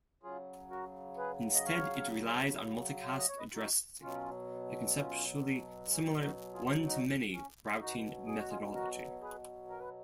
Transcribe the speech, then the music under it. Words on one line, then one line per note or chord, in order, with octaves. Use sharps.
Instead it relies on multicast addressing - a conceptually similar "one-to-many" routing methodology.
C#3 F#3 F4 G#4
F#4 A#4
G#4 B4
D#5
C#5 F5
F5
D#5
C#5
B4 D#5
D#4 F#4
B2 F#3 C#4 F4
C#4 F4
C#4
D#4 F#4
F4 G#4
D#4 F#4
C#4
G#4
B2 F#3 D#4 F#4
G#4
F#4
F4 G#4
F#4 A#4
G#4 B4
A#4
B4